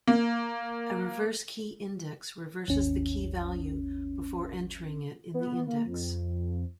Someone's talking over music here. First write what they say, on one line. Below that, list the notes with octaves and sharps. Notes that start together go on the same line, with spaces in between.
A reverse key index reverses the key value before entering it in the index.
A#3
G#1 D#2 C#4
B3
A#3
F2